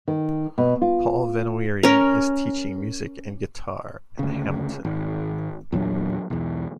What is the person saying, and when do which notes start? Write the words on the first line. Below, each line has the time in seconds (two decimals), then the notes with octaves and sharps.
Paul VanWering is teaching music and Guitar in Hamilton.
0.08 D#3
0.58 B2
0.82 F4
1.83 C#4 A#4
4.19 D2 C#3
4.85 G#1
5.72 E2 A#2 F#3 D4
6.30 B1 E2